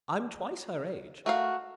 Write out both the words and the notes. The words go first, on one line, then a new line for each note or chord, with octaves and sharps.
I'm twice her age.
A3 F#4 A#4 F5